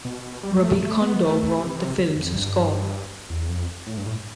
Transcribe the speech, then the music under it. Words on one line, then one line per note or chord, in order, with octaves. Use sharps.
Robbie Kondor wrote the film's score.
B2
G3
A3
A3
B3
A3
C3
F2
G2
E2
F2
A2
G2
A2